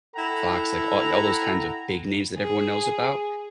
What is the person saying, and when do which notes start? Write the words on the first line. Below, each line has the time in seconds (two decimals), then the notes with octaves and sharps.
Fox, like, all all those kinds of big names that everyone knows about,
0.16 E4 A4 F#5 G5 A#5
2.38 G#4